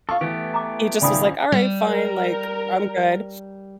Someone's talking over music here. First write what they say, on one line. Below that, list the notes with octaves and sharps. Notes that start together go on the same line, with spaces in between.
he just was like, "Alright, fine. Like, I'm good,"
F4 A4 F5 C#6
E3 A3 B3 G4
A#5 D6
G#1 C#2 D5 G5 G#5 B5 D#6
G3
A#4